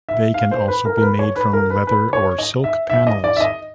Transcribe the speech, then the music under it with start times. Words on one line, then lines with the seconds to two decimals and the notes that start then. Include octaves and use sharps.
They can also be made from leather or silk panels.
0.09 E5
0.34 F5
0.51 C5
0.68 B4
0.85 A#4
0.97 A#4
1.02 B4
1.19 C#5
1.36 B4
1.53 A#4
1.70 B4
1.87 B4
2.13 C#5
2.38 D#5
2.64 E5
2.90 E5
3.07 D#5
3.24 D5
3.37 E5
3.40 D#5